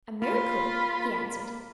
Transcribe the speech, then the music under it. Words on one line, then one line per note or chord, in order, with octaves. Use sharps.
"A miracle," he answered.
A#3 F4 B5